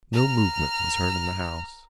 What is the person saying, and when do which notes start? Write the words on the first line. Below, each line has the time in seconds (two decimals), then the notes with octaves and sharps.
No movement was heard in the house.
0.13 A#5 F6